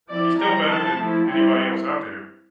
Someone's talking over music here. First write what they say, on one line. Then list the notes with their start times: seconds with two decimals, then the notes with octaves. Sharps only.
He's still better than anybody else out there,
0.08 F3 C4 E4 D5
0.38 E3 G3 C4 A#5
0.67 F3 C4 E4 A5
0.96 F3 A3 E4
1.25 G3 C4 E4